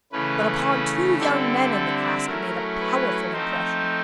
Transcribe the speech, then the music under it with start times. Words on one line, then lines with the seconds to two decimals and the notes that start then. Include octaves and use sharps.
But upon two young men in the class, it made a powerful impression.
0.12 C#3 E3 A3 C#4 B4
1.19 D3 G3 C4 E4 A4
2.26 F#3 A3 C#4 E4 A#4
2.80 B4
3.32 F3 A3 C4 D#4 C5